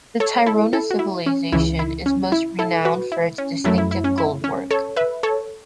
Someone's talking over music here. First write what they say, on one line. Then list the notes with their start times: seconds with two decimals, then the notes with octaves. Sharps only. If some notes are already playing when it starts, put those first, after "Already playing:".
The Tairona civilization is most renowned for its distinctive goldwork.
0.20 A4 C#5
0.46 E4 A4
0.73 E4 A4
0.91 F#4
0.99 E4
1.26 C#4
1.52 C#2 C#3 E3 E4
1.79 E4
2.06 C#4
2.32 E4
2.59 E4 A4
2.85 F#4 B4
3.12 E4
3.38 C#4
3.64 F#2 F#3 A3 E4
3.78 E4
3.91 E4
4.04 C#4
4.18 E4
4.44 C#4
4.71 A4 C#5
4.96 B4 E5
5.23 A4 C#5